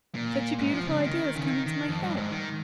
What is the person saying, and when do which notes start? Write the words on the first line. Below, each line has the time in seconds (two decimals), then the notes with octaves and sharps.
Such a beautiful idea has come into my head!
0.15 A#2
0.58 G#2
0.73 F3
0.87 C#3
1.02 D#3
1.35 C#3
1.45 D#3
1.66 D#3
1.88 F2
2.02 G2
2.17 G#2
2.31 D#3